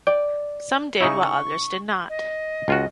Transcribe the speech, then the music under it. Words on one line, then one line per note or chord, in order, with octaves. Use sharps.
Some did, while others did not.
D5 G5
C#3 D#4 E4 C#6
D#5
C#2 F4 F#4